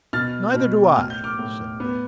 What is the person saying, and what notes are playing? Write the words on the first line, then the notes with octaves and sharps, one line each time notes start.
"Neither do I," said Bince.
B2 F6 A6
B2
A2 F6
G6
D6 F6
A2
B3